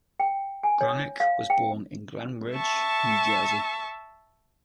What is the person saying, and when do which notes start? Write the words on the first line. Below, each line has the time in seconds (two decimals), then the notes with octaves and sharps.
Granick was born in Glen Ridge, New Jersey.
0.20 G5
0.63 G#5
0.81 C#5
1.20 F5
1.50 G5
2.55 E5 A5 C#6